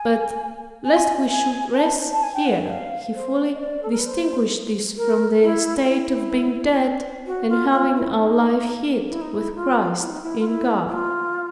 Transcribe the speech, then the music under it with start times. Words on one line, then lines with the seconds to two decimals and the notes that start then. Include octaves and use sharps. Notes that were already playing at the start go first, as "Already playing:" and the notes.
But, lest we should rest here, he fully distinguishes this from the state of being dead and having our life hid with Christ in God.
Already playing: G#5
0.85 G#5
1.31 G#5
1.77 A5
2.12 A5
2.23 G#5
2.34 G5
2.46 F#5
2.68 F5
3.14 C5
3.54 D#5
3.60 D5
3.83 A4
3.91 A#4
3.99 B4
4.06 C5
4.97 A#4
5.43 E4
5.84 F4
5.89 E4
7.26 F#4
7.49 F4
7.72 F4
7.95 E4
8.18 D#4
9.09 E4
9.21 D#4
9.34 E4
9.55 F4
10.01 E4
10.11 D#4
10.22 E4
10.39 F4
10.47 E4
10.88 E4
10.92 F4